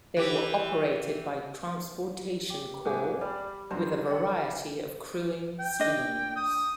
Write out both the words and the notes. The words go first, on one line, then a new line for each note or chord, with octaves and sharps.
They were operated by Transportation Corps with a variety of crewing schemes.
E3 G4
G4
G#2 A3 G#4 D6
G3 D5
G2 F#3 D4 C5 A#5
G4 A4 F#5
G5
D4 D#5
D#6